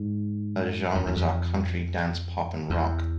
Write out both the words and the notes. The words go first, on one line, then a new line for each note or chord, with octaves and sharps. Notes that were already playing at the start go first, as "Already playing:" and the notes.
Her genres are country, dance, pop and rock.
Already playing: G#2
F2
E2
F2
E2